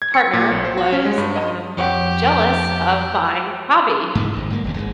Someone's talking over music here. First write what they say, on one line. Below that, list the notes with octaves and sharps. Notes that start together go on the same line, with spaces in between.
partner was, um, jealous of my hobby
G#6
C#7
A#2
B1
C5
F#4
C#4
G#3
G2
D#5
F2 G4 C#5 F#5
G#2 C#3 E3
G#1 G#2
G1 G#2 A#3
E1 D#2 C#3
G#1 C#2 G#3